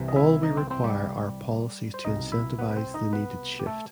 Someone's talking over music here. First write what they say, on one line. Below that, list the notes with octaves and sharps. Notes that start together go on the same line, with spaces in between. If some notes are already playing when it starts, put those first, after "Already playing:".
All we require are policies to incentivize the needed shift.
Already playing: C2 C3 E3
D#5
E4 E5
D#4 D#5
C4 C5
C4 C5
G3 G4
C5
C2 B2 D#4 D#5
E4 E5
B3 B4
B4
C4 C5
D#4 D#5
B3 B4
G4
A3 A4